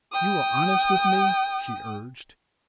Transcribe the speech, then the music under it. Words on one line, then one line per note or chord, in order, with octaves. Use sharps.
"You are honest with me?" she urged.
G5 D#6